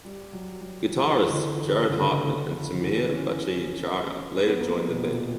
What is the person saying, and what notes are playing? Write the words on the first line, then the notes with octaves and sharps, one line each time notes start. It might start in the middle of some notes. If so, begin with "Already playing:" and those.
Guitarists Jared Hartmann and Sameer Bhattacharya later joined the band.
G3
F#3
F#3
E3
E3
D3
D3
E3
D3
C#3
D3
E3
C#4
B3
A#3
G3
B2
A#2